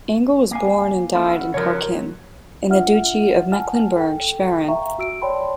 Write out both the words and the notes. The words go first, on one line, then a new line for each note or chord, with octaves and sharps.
Engel was born and died in Parchim, in the Duchy of Mecklenburg-Schwerin.
A#3 F5 G#5
C#4 E4 A4
F#5
C#3 F3 A#4 C#5
D4 F4 E5 F#5 F6
F#5 G#5 A5 F6
A4 G5
E5 F5 G5 A#5 C#6
F#4 E6 D7
C#5 D5 G5 A5 B5 C6